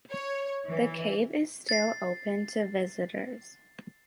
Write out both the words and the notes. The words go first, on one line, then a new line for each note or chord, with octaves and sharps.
The cave is still open to visitors.
C#5
E3
A6 C7